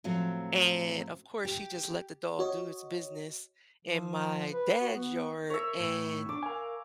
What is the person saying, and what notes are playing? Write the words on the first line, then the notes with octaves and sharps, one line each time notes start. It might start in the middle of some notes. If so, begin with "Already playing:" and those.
and of course she just let the dog do its business in my dad's yard, and
A2 F3 F#3 C4
G4
F#4 C#5 D#5
F3
B4
F#4
B3
A#4 C#5 E5
A2
D4 D6
A#4 F5 G#5